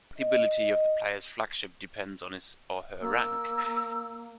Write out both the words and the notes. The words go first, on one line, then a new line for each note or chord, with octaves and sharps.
The ability of the player's flagship depends on his or her rank.
D#5
A#3 E6